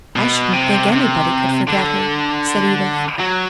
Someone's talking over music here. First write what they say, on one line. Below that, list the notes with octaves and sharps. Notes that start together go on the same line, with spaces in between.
"I shouldn't think anybody could forget her," said Edith.
B2
C3
C3
D3
F#3